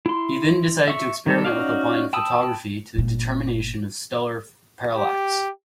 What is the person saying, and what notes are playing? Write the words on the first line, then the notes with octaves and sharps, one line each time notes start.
He then decided to experiment with applying photography to the determination of stellar parallax.
E4 C6
E5 C#6
D#3 G3 A4
C#4 D#4 F#4 D5 F5
G5 A5 B5 D#6 E6
G1 A#2
G4